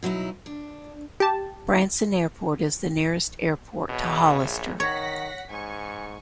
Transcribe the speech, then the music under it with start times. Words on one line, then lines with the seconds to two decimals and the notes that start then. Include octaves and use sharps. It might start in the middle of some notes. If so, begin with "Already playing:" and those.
Branson Airport is the nearest airport to Hollister.
0.03 B2 F#3 D#4 E4
0.46 D4
1.20 G4 A5
3.89 B2 G#4 C#5 E5
4.40 A#1
4.80 D#3 C#5 F#5 A#6 B6
5.51 G#2 G#5 C#6